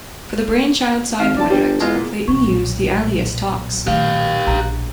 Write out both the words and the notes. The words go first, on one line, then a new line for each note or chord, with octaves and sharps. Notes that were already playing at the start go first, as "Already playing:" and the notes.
For the Brainchild side project, Klayton used the alias Tox.
G#1 F5
D1 D5 A5
G1 G3
E2 G#3 F4
A#2
B1 A#2 D3 C#6
D#3 A3 F4 G4 F5
A#1 A#5